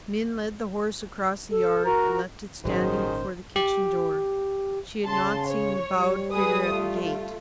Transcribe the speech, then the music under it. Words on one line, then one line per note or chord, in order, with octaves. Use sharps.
Min led the horse across the yard and left it standing before the kitchen door; she had not seen the bowed figure at the gate.
A4
F#4 A#4 A#5
G#1 A#2 D#3 F#3 C#4 G#4 C5
G4
C#3 A5 C6
C#5
G3
G#4 B4 D#6
A3 F4